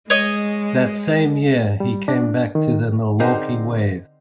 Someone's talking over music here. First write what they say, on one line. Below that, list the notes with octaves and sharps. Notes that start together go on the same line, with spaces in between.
That same year, he came back to the Milwaukee Wave.
G#3 C#5 D#5
G3
D4
D#3
D3 C4 D#4 G#4 A#4 C5